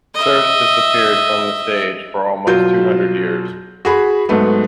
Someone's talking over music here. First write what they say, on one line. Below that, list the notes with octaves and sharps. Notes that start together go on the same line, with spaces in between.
"Serse" disappeared from the stage for almost two hundred years.
D#5 E5
B2 F#3 F4 G6
F#4 G#4 B5
G#2 F#3 A3 B3